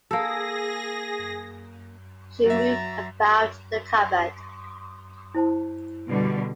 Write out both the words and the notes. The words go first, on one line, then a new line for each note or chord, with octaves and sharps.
She moved about the cupboard.
A#3 G#4 A4 A#6
F#3 E5 A#5 A6
E4 C5 A5
B2 D3 G3